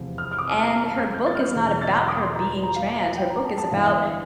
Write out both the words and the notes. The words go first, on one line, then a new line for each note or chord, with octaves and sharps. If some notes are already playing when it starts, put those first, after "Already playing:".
and her book is not about her being trans, her book is about,
Already playing: F1 E2 C3 F3 A3
F6
F6
D6
E6
F6
A#5
A5
F6
G6
G6
A6
F6
G6
E1 E2 D3
G6
A6
G6
D6
C6
A#5
A#5
F5
F5
G5
A#5
A5
A5
G1 G2 E3 G3 F5
E5
F5